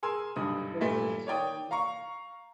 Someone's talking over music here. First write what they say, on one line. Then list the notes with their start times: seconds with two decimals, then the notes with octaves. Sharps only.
listening to,
0.03 G#4 A#4 G#5 C6 E6
0.36 B1 G2 D3 D#6
0.80 G2 A#2 A3
1.27 C#5 D5 G5 D#6
1.71 F5 A#5 C#6